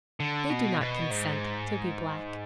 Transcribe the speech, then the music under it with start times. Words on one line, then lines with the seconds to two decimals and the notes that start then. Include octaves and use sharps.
They do not consent to be black.
0.20 D3
0.50 B2
0.81 B2
1.11 G#2